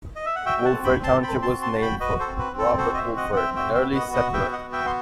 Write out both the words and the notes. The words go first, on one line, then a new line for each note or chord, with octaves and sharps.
Wolford Township was named for Robert Wolford, an early settler.
D#5
E5
F#5
F#4 E5 G5
G5
F#5 A5
C4
G5 B5
C4
A5 C6
C4 G5 B5
A5 C6
F#4
A5 C6
F#4 A5
G5 B5
F#4 B4 D#5
A4 C5
C4
B4
C4
A4
F#4 A4 C5
D#5
C5 E5
C4
D#5 F#5
C4 F#5
E5 G5
F#4 E5 G5
E5 G5
B3
D#5 F#5
F#4
D#5 F#5
B3 E5 G5
D#5 F#5
F#4
E5 G5
B3 C6